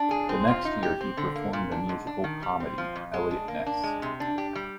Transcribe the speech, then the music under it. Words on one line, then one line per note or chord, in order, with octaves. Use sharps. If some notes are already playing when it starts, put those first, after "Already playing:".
The next year, he performed in the musical comedy "Eliott Ness".
Already playing: D4
G#4
C4
F4
D#4
G4
C4
D3
A#3
A#2
D4
G#2
D4
D#3
G3
C4
F3
F2
G#3
D4
A#3
D4
G#3
C3
D4
G4
G3